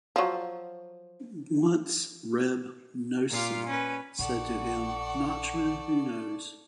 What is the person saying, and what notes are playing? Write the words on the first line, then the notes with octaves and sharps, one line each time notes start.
Once Reb Noson said to him, Nachman, who knows?
F3 F#3
A#2 F4 F5 D6
C#4 B4
A#1 A4 D5 F#5 C#6